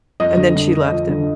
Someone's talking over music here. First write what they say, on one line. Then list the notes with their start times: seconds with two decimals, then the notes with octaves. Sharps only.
And then she left him.
0.20 F2 D#5
0.37 D3
0.56 D3
0.73 D3
0.92 F3
1.09 D3